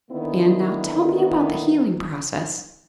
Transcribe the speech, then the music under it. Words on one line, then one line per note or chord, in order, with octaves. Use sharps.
"And now tell me about the healing process."
D3 D#3 A#3 B3 E4